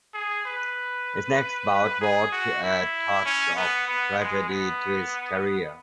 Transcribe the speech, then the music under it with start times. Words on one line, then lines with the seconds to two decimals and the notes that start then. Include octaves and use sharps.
His next bout brought a touch of tragedy to his career.
0.14 G#4
0.46 B4
2.01 G#4
2.32 F#4
2.64 E4
3.26 C#4
3.56 B3
3.88 B3
4.19 G#3
4.49 B3